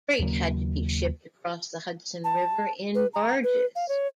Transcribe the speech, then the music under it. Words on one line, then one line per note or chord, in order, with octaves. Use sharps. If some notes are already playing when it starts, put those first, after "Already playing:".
Freight had to be shipped across the Hudson River in barges.
D#2 C#3 F#3 A#3
A5
B4
A#5
B4
F5
C#5